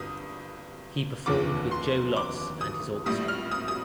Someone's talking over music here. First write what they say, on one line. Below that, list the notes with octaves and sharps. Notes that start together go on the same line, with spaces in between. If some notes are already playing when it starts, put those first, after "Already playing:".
He performed with Joe Loss and his orchestra.
Already playing: G1 G2 D#6
F1 D#2 D3 F3 D6
C6
D6
D#6
A#1 A2 G3 D#6
F6
D#6
D#6